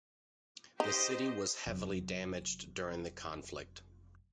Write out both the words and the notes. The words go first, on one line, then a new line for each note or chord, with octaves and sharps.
The city was heavily damaged during the conflict.
D#4 G4 C5 D#5
F1 F#3